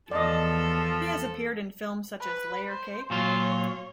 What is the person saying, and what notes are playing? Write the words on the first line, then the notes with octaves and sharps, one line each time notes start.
He has appeared in films such as "Layer Cake".
E2 F3 A4 D5 D#5
B4
C5
A#2 F#3 F4 C#5